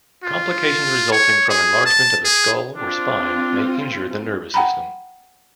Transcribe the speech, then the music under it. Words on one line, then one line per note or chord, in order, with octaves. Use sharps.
Complications resulting from enlargement of the skull or spine may injure the nervous system.
F4
C#5
G#4
A5
G#4
C4 D4 F4
F#5 G5 A#5 B5